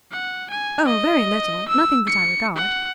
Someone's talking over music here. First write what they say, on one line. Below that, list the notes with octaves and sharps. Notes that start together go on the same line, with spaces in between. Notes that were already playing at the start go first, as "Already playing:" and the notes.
"Oh! very little, Nothing that I regard."
F#5
G#5
D#5
E6
C#7
F#5